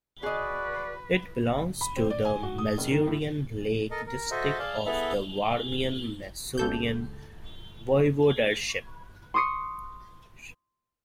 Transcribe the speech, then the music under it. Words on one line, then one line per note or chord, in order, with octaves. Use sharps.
It belongs to the Masurian Lake District of the Warmian-Masurian Voivodeship.
F#4 G#4 B4 D5 D#5
B5
C4
D5
G#5
F#4
D#6
F#1
D#3
A2
A4 A#4 D#5
A#4
F#4 A4 C5 D#5 E5
G#4 D5 F5 A5
B3 E4 G#4 A4 E5
C#2 A4 G6
C6 C#6 D#6 C7 C#7